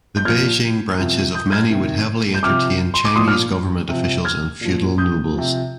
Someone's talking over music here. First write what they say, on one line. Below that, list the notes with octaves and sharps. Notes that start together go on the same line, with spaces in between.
The Beijing branches of many would heavily entertain Chinese government officials and feudal nobles.
G6
A#2 F3 F6 G#6
C3 F3
D#6 G6
F6 G#6
C3 D#3
G6
C3 F3 D6 F6
C6
D6
A#2 F3 C6 D#6
D6 F6
C3 F3
F6 G#6
A#2 F3
D#6 G6
C3 F3